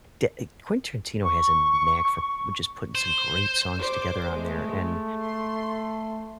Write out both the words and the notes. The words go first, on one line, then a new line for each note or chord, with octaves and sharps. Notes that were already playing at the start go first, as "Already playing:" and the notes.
D eh Quentin Tarantino has a knack for which is putting some great songs together on there, and
C#6
C5
C5 D5 D6
G#3 A3
C6